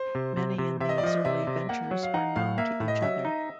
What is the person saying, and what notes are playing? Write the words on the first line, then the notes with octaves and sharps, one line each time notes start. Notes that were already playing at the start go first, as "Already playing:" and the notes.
Many in these early ventures were known to each other.
Already playing: C5
C3
C3
C3
C3 E5
D#5
D5
F3 D#5
C3 E5
C3
A#3 F#5
F#3
F5
D#4 F#5
A2 F5
A#3 E5
A2
D#5
F#3 E5
D#4